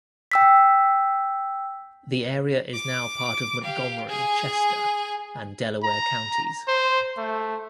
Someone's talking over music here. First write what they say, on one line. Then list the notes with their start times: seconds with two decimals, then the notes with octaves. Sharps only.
The area is now part of Montgomery, Chester, and Delaware counties.
0.32 G5 E6 B6
2.74 D6
3.63 G4 F5
4.08 G#4 G#5
5.83 A#5
6.68 C5
7.17 A3